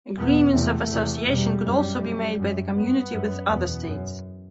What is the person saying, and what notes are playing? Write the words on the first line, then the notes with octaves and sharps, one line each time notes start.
Agreements of Association could also be made by the Community with other states.
E2 B2 B3
E2 C3 A3
E2 C3
E2 B2 G3
F#2
F#2
F#2
G2 B3
F#2
E2 B2 B3
F#2